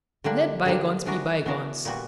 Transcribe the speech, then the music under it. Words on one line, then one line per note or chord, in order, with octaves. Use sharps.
Let Bygones Be Bygones.
D3 G3 A#3 D4
D3 G3 A#3 D4
E3 B3 D4 F#4 A#4
E3 B3 D4 F#4 A#4
A#2 G3 B3 F#4